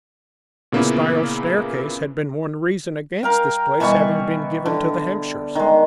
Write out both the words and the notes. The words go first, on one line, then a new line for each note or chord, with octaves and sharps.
The spiral staircase had been one reason against this place having been given to the Hampshires.
A#2 C#3 A#3 B3 C#4 E4
A#4 F5 G5
B2 E3 G3 C#6
D3
D#3 G#3